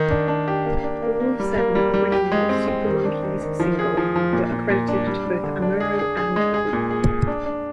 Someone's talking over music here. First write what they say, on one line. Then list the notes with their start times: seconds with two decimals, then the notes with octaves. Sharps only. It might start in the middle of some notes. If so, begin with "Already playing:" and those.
All seven original Super Monkey's single were accredited to both Amuro and the group.
Already playing: D#3
0.10 D4
0.28 D4
0.48 G4
0.65 A#3
0.84 D4
1.02 A#3
1.20 A#3
1.40 G3
1.58 A#3
1.75 G3
1.94 G3
2.12 G4
2.32 G#3
2.49 C4
2.67 C4
2.87 D#3
3.05 D4
3.23 D#3
3.41 D#3
3.60 F3
3.79 G#4
3.97 F3
4.16 F3
4.33 A#2
4.52 A#2
4.70 A#2
4.88 D4
5.07 G3
5.26 G3
5.44 D3
5.62 D4
5.80 G#4
5.99 G#4
6.17 G#4
6.36 G#3
6.54 G#4
6.73 A#2
6.91 G#4
7.09 G#4
7.27 D4
7.45 D4